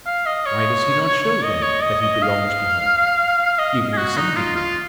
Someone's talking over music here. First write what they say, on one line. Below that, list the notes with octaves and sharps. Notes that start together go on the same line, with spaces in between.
Why does he not show, then, that he belonged to her, even in some degree?
F5
D#5
C#5
C#5
D#5
C#5
D#5
D#5
F5
F5
D#5
G#4
F#4
D#4
F4
F4